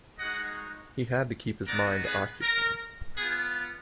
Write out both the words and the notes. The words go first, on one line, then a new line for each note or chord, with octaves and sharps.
He had to keep his mind occupied.
G#3 D#4 F#4 D#5 F#5
B3 D#4 F#4 A#4 D5
G#4 B4
A#4
B3 F4 G#4